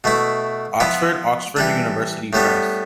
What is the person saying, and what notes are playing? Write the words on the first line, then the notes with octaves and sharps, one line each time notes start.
Oxford: Oxford University Press.
B2 A3 E4
F3 B3 E4
E3 G3 D4
A2 G3 B3 D4